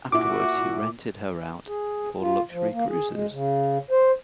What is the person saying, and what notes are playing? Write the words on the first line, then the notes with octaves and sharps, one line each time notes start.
Afterwards he rented her out for luxury cruises.
A#2 E4 F#4 D6
G#4
F4
F3
A#3
G#4
G#3
C#3
C5